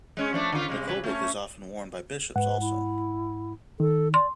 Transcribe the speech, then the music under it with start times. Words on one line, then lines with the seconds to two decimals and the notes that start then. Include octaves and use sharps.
The klobuk is often worn by bishops also.
0.17 G#3 C#4
0.33 F3 A3 D4
0.52 D3 F4
0.68 C3 G3 G#3
0.87 C3 E3 B4
1.04 A3 C#4
2.36 G#2 B4 F#5
2.60 E4
3.80 D#3 A4
4.14 D5 C6